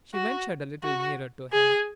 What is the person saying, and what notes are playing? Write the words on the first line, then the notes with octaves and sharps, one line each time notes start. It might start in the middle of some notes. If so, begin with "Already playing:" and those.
She ventured a little nearer to him.
F#4
F#4
G#4